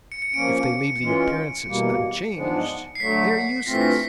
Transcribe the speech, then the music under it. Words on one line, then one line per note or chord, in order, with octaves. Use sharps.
If they leave the appearances unchanged they are useless.
C#7
C#7
F3 A#3 C#4 D7
E3 G#3 C#4 F4
E2 B2 G3 A#3
G#2 F3 G#3 B3 D4
C7
D3 F#3 A3 B6
G2 E3 A3 C4 F4 A#6
B6
A#6